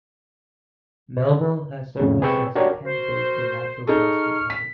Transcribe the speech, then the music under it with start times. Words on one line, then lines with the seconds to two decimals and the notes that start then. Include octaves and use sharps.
Melville has surfaced as a candidate for natural gas deposits.
2.00 F2 A2 C#3
2.21 C3 G#4 B4 G5 C#6 E6
2.55 D4 F#4 G4 A#4 C#5
2.84 F#4 A#4 C5
3.87 D#4 G#4 A4 C#6 F6
4.50 B6